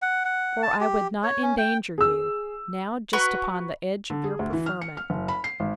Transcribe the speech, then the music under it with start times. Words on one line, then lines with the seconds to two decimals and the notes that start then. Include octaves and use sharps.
For I would not endanger you, now just upon the edge of your preferment.
0.02 F#5
0.25 F#5
0.63 A5
0.81 G4
1.24 C#5
1.43 C#4
1.58 G5
1.98 G#4 E6
3.13 F#4 B4 A#5 C#6
4.10 D3
4.24 G#4
4.39 D2
4.53 E3
4.66 F6
4.81 C#7
4.97 F6
5.10 F#1
5.28 B5
5.44 C7
5.60 G#1